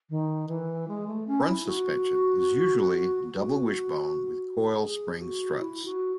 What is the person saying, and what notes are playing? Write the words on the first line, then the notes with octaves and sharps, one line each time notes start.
Front suspension is usually double wishbone with coil spring struts.
D#3
E3
G#3
A3
C#4
E4
F#4
F#4
G#4
F#4
E4
F#4